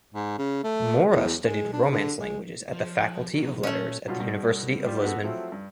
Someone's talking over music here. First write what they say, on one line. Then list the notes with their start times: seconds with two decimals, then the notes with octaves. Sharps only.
Moura studied Romance languages at the Faculty of Letters at the University of Lisbon.
0.14 G#2
0.38 C#3
0.64 A3
1.14 E2
1.42 G#3
1.73 D4
1.92 D3
2.20 G#3
2.73 F3
3.34 E2 F#3
3.63 A#2 A3 C#4
4.08 G2 B2 F#3 F4 F#4
4.20 G2 B2
4.86 G3 F4
5.02 B3 F#4 A4
5.23 F3 F#3 A3 C4 E4
5.52 G2